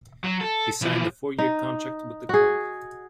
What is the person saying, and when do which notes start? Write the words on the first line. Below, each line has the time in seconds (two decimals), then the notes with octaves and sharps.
He signed a four-year contract with the club.
0.24 F#3
0.41 A4
0.82 E3 F3
1.38 D#4
2.29 F#4 G#4